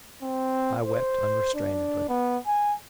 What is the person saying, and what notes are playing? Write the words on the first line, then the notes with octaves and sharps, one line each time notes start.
I wept unrestrainedly.
C4
C5
D4
B3
G#5